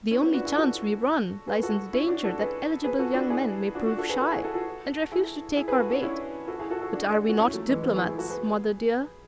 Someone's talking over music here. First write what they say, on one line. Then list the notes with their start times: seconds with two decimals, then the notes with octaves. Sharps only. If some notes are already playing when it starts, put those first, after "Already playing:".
The only chance we run lies in the danger that eligible young men may prove shy, and refuse to take our bait; but are we not diplomats, mother dear?
0.11 C#4 E4
0.22 B3 D4
0.34 D4 F#4
0.45 E4 G#4
0.57 F#4 A4
1.48 G#4 B4
1.63 F#4 A4
1.93 C#4 E4
2.08 D4 F#4
2.24 F#4 A4
2.39 G#4 B4
2.84 G#4 B4
2.99 F#4 A4
3.14 D4 F#4
3.30 E4 G#4
3.75 D4 F#4
3.86 D4 F#4
3.98 F#4 A4
4.09 G#4 B4
4.21 F#4 A4
4.32 E4 G#4
4.43 F#4 A4
4.54 F#4 A4
5.11 E4 G#4
5.57 E4 G#4
5.68 G#4 B4
5.79 F#4 A4
5.91 D4 F#4
6.02 C#4 E4
6.48 F#4 A4
6.59 E4 G#4
6.70 F#4 A4
6.81 F#4 A4
6.93 D4 F#4
7.29 F#4
7.39 C#4 E4
7.53 F#3 A3
7.69 E3 G#3
7.84 G#3 B3
7.96 E4 G#4
8.07 E4 G#4
8.18 F#4 A4
8.30 G#4 B4